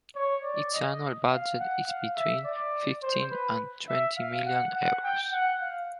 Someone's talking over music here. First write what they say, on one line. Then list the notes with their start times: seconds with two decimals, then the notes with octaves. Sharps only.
Its annual budget is between fifteen and twenty million euros.
0.15 C#5
0.43 D5
0.73 D#5
1.30 F5
1.59 F#5
1.87 F5
2.16 E5
2.44 D5
3.03 C5
3.31 B4
3.88 E5
4.17 F5
4.45 F#5
4.75 F#5
5.04 G5
5.32 F#5
5.60 F5